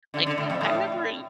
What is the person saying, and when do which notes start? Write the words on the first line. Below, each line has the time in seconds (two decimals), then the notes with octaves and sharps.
like, I remember i
0.14 D3
0.26 D3
0.38 A2
0.50 F2
0.61 A2